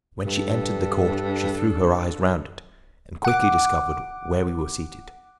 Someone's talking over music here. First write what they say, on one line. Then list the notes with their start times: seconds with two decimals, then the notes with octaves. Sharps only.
When she entered the court she threw her eyes round it and quickly discovered where we were seated.
0.25 G2 D4 A4
3.24 F#5 D6